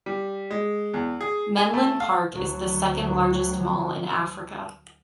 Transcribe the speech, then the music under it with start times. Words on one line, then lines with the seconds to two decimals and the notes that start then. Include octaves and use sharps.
Menlyn Park is the second largest mall in Africa.
0.06 G3
0.51 G#3
0.94 E2
1.21 G#4
1.57 G#5
1.74 A3
2.00 F5
2.32 D2 F#3